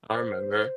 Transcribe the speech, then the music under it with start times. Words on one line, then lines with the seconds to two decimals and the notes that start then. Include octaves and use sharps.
I remember.
0.14 C5